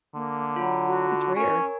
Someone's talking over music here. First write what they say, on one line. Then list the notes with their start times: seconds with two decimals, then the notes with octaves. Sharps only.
It's rare.
0.15 D3 A#3
0.56 F#3 F4 B5
0.88 F#4
1.36 C#4 A#4 C#5 G#5